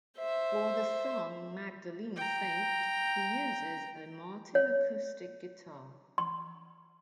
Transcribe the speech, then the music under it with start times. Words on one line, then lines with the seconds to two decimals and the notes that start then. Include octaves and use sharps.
For the song, "Magdalene Saint" he uses a Martin acoustic guitar.
0.18 C5 E5
2.16 G5 A#5
4.55 C#5
6.18 C6